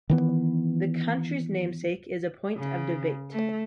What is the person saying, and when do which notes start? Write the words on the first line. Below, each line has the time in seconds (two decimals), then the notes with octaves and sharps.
The county's namesake is a point of debate.
0.10 D#3 E3 B3
2.57 C#3
3.33 A3